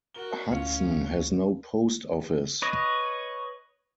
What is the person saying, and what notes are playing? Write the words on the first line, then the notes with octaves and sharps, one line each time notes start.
Hudson has no post office.
F#4 A#4 G7
D2 A2 C#4 F4 C#7
B4 C#5 D#5